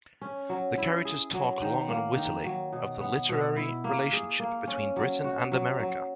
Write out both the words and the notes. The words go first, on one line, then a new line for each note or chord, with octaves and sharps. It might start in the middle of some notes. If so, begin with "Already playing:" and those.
The characters talk long and wittily of the literary relationship between Britain and America.
C#4
F#3
E4
G#4
F#3
D#3
A#3
D#3
F#3
B2
B3
B2
E4
A#3
G#4
A#3
C#4
F#3
F#4
F#3
F#3